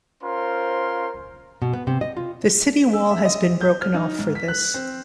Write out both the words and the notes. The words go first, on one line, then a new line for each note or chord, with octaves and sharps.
The city wall has been broken off for this.
C#4 F4 A#4 C5 C6
B2
B3
C3
D#5
F4
E6
E5
D#5
G6
F6
D#4
G#2
B6
F#6
C4